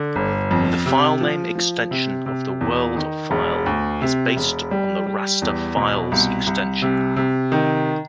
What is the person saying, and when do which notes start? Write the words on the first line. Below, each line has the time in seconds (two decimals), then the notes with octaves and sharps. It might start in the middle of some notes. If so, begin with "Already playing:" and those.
The filename extension of the world file is based on the raster file's extension.
Already playing: D3
0.16 G1
0.51 F2
0.86 C3
1.21 F3
1.55 F3
1.91 C3
2.26 C3
2.61 E2
2.96 D#3
3.31 E1
3.66 D2
4.01 C3
4.36 E1
4.71 G3
5.06 G3
5.42 E2
5.77 B2
6.12 C2
6.47 C2
6.82 C3
7.16 C3
7.52 D#3